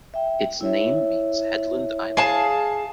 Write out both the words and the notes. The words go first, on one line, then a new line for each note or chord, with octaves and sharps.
Its name means 'headland island'.
E5 G5
E4 C#5 E5
G#4 F5 A5